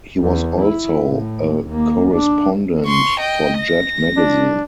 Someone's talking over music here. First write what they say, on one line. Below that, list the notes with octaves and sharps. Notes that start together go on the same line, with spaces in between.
He was also a correspondent for Jet magazine.
E2
E4
A2
D#2 A#3
D4
C6 C#6
D#5 G5
A#6
D4